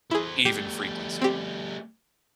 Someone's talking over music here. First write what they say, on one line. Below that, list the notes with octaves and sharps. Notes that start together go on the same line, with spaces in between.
even frequency.
E4 G#4 A4 C5
G3 A3 G4
C4 G4